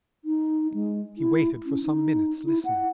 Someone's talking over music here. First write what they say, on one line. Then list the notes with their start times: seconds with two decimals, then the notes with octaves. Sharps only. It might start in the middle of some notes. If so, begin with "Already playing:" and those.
He waited for some minutes listening.
0.25 D#4
0.74 G#3
1.18 E4
1.66 C#4
1.83 D#4
2.46 E4
2.65 F#5